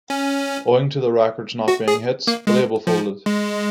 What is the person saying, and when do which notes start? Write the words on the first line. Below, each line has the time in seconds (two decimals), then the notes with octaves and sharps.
Owing to the records not being hits, the label folded.
0.10 C#4
1.68 F#4
1.88 G#4
2.27 A#3
2.47 G#3
2.87 F3
3.26 G#3